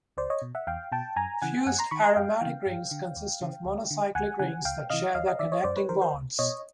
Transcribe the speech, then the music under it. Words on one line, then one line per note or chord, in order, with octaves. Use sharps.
Fused aromatic rings consist of monocyclic rings that share their connecting bonds.
C#2 C5 D5
C#5 D#5
B2
E5 F#5
E2 F5 G5
B2 G5 A5
F#2 G#5 A#5
C#3 E3 F#5 G#5
F#2 F#5 G#5
A#5 C6
D#3 B5 C#6
A#5 C6
F#2 F5 G5
C#3 E3
G2
D3
D#2
C#3 E3
D2
D3
D2 F#5 G#5
C#3 E3 F#5 G#5
C#2 F5 G5
C3 E3 D#5 F5
D#2 D#5 F5
D#5 F5
D#3 D5 E5
C#5 D#5
F#2 C5 D5
B4 C#5
D#3 A#4 C5
A#4 C5
C#2
B2 C#5 D#5